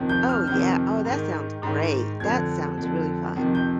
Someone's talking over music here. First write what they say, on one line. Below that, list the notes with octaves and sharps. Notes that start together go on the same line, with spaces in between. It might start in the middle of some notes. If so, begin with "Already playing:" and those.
Oh, yeah, oh, that sounds great. That sounds really fun.
Already playing: F2 C3 D#3
G6
F6
F2 C3 D#3 G6
G#2 D#3
G#2 D#3
F2 D3 G#6
F2 D3
F2 C3 D#3
G6